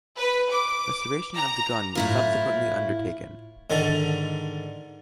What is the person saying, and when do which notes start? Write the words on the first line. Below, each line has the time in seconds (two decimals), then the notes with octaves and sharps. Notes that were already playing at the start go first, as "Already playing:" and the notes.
Restoration of the gun was subsequently undertaken.
0.18 B4
0.52 D6
1.35 A#5
1.95 A2 E4 F4
3.70 G#2 D3 D#3 A4